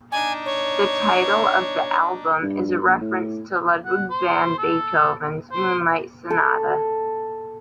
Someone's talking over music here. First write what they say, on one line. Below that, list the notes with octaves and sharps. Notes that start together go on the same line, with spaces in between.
The title of the album is a reference to Ludwig van Beethoven's "Moonlight Sonata".
D4 D#4 G#5
C#5
G2
A#1
A2
F#5
C5
A4
C5
A4